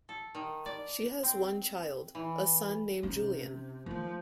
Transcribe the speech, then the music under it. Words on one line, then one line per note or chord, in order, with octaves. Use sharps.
She has one child, a son named Julian.
A4
D#3
D5
C4
E3
C3 C#4 D#4
D#3 F3 A3